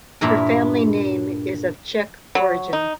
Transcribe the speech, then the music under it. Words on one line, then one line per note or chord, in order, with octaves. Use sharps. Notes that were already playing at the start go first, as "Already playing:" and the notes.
Her family name is of Czech origin.
G2 A#2 E4 A#4
F#3
D#4